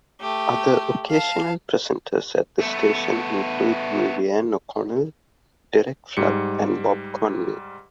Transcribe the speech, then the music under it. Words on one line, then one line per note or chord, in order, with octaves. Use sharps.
Other occasional presenters at the station include Muireann O'Cononell, Derek Flood and Bob Conway.
A3 G4
F5 A5
A3 B3
G#2 G3 C#7